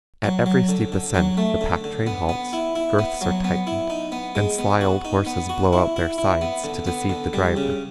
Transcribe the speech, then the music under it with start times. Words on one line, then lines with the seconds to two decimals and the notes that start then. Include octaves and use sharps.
At every steep ascent the pack-train halts, girths are tightened, and sly old horses blow out their sides to deceive the driver.
0.24 F#3
0.46 F#3
0.69 D3
0.92 D3
1.15 F#3
1.37 A3
1.61 D3
1.84 D3
2.07 B3
2.29 B3
2.53 E4
2.75 E4
2.99 B3
3.21 F#3
3.44 B3
3.67 E4
3.90 D#4
4.12 B3
4.35 G#3
4.59 B3
4.81 F#4
5.05 D#4
5.26 B3
5.49 F#4
5.73 E4
5.96 E4
6.18 E4
6.41 B3
6.64 D3
6.87 B3
7.10 D3
7.33 G3
7.57 C#3